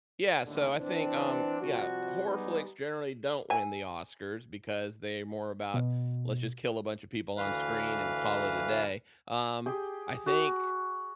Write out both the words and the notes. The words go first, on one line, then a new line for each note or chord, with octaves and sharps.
Yeah, so I think, um, yeah, horror flicks generally don't win the Oscars because they're more about, "Let's just kill a bunch of people on screen and call it a day." Um, I think
D#2 A2 D3
E3 C4 D4
C3 F3 G3 F#4
G3 G#3 B3 D#4 B4 D5
E5 G#5
B2
D2 E3 B4 F5
G4 G#4 G5
F#4